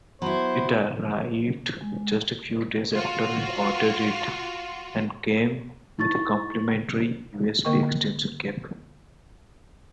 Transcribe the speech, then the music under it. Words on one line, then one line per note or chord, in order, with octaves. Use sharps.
It arrived just a few days after I ordered it, and came with a complementary USB extension cable.
F#3 B3 E4 C5
G#3
F4 F#4
D#4 E4 C#6 A6
D3 A#3 A#4 D#5 G5 C#6